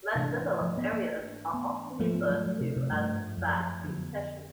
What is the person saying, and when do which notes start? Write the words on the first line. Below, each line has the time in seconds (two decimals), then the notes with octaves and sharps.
Less developed areas are often referred to as "back concessions".
0.15 G#2 C3 E3 A3 D4
0.61 F3
0.78 B3
0.93 A#3
1.54 B3
2.00 G#2 F3 A3 A#3
2.15 B3
2.30 F#3
2.46 F#3
2.61 C3
2.76 C3
2.91 G2
3.37 F#2
3.84 F2 D3 F#3 B3